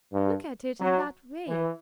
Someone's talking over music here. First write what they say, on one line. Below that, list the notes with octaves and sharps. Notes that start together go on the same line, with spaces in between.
Look at it in that way?
G2
F#3
E3